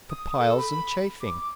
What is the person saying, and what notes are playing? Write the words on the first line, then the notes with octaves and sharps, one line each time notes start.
For piles and chafing.
D#6
A4
B5
D6